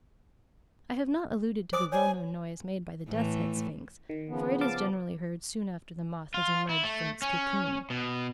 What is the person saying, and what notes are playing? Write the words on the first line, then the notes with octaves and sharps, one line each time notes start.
I have not alluded to the well-known noise made by the Death's Head Sphinx, for it is generally heard soon after the moth has emerged from its cocoon.
C5 G#5 D6 D#6
C#5 G#5
A2 E3 A3
D#3
C#3 F3 B3
F5 A5 D6
F4
E4
A3
C#4
B2